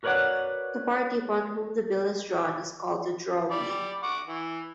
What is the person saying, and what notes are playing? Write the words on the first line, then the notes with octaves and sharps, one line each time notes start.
The party upon whom the bill is drawn is called the drawee.
F#4 A#4 B4 C#5 D5 F#5
D5 B5
F#5 C#6 D6
E3